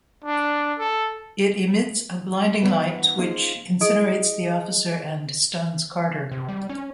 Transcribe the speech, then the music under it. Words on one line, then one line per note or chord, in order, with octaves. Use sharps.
It emits a blinding light which incinerates the officer and stuns Carter.
D4
A4
G2 E3 B3 F#4
A#3 C#4 D#4 F4 G#4 C5
E4 G#4 D#5 D#6 D7
C3
G3
C#4